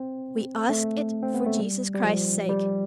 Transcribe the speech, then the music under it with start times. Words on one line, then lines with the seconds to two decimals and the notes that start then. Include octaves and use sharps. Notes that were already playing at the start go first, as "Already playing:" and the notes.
We ask it for Jesus Christ's sake.
Already playing: C4
0.69 A3
1.23 C4
1.34 B3
1.46 A3
1.59 G3
1.95 G3
2.04 F3
2.49 G3